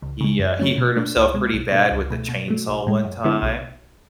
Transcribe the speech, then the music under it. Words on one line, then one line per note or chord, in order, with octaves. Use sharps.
he, uh, he hurt himself pretty bad with a chainsaw one time,
C#2
C#3 G#3
F#2
C#3 F#3 A3 C#4
B2
A3 D4
C#2
B2 G#3
B1
B2 A3 D4
C#2
B2 A3
B2
F#3 A3
B1
A2 G#3
F#2
D3 G#3 B3 E4
B1